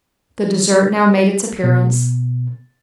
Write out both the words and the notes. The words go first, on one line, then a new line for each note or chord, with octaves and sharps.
The dessert now made its appearance.
B2